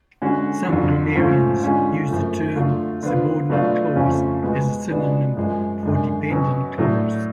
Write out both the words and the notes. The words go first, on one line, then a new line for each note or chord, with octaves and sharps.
Some grammarians use the term subordinate clause as a synonym for dependent clause.
D3 G#3 C#4 F#4
F2 D3 F#3
G#2 F3 A3 C#4 F4
D3 G#3 C#4 F4
F#2 F3 A3
D3 F#3 A3 F4
D3 F3 B3 F4
B2 F#3 A3 D4 F4
F2 C#3 F3 A3 C#4
B2 G#3 B3
B2 G#3 B3 D4 F4
F#2 F3 G#3
F#2 D3 G#3
B2 F#3 C#4
A2 F#3 A3 D4